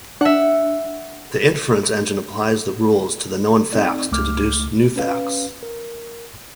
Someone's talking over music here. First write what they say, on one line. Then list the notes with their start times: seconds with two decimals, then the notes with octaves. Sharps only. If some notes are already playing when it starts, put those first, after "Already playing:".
The inference engine applies the rules to the known facts to deduce new facts.
0.21 D4 E5 F#5
3.73 C4 D#4 D5
4.12 C#2 A3 D6 F6
4.96 C#4 B4 F5
5.63 A#4